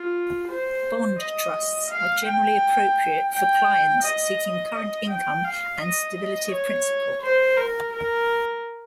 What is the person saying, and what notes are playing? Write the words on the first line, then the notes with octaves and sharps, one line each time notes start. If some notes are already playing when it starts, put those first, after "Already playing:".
Bond trusts are generally appropriate for clients seeking current income and stability of principal.
Already playing: F4
C5
D#5
F5
G5
G5
D#5
D#5
G5
F5
D#5
D#5
C#5
C5
A#4
A#4